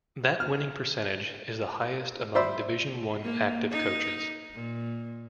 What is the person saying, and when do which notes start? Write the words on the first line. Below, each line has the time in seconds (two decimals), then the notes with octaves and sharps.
That winning percentage is the highest among Division One active coaches.
0.40 F6
2.35 C5 D5 E5 B5 E6
3.24 A#3
3.71 D#4
4.54 A#2